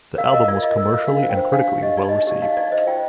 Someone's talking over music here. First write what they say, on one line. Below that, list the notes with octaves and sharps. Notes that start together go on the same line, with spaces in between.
The album was commercially and critically well received.
A#4 F5
A#4 D#5
F4 D5
F4 D#5
A#4
F4
D4 F5
C5
G5
C5
D4 F5
G4
G4 D#5
D#4 D5
D#5
D#4
D#5
G4 D5
D#4 F5
D#4 D5
C5 D#5
F4 G5